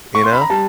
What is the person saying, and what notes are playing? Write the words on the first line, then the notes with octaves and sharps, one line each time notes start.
You know?
C#6
C6
B5
A#5
G3 A5